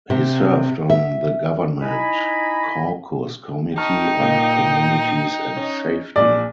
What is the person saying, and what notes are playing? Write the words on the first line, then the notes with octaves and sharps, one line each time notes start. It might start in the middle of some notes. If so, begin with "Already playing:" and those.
He served on the Government Caucus Committee on Communities and Safety.
C3
E5
D#4 E4 G#5 A#5 B5
D#4 G5 A5 C#6 F6
A#2 A#3 D#5
C#4 D#5
A#1 A#2 D5